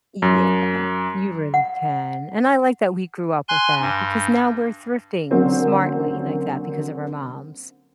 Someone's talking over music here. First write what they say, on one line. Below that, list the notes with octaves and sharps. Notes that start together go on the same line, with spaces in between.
Y yeah, you really can and I like that we grew up with that, because now we're thrifting smartly like that because of our moms.
F#2
F#5
G#5 C6 F#6
G2
D3 F#3 A#3 C4 C#4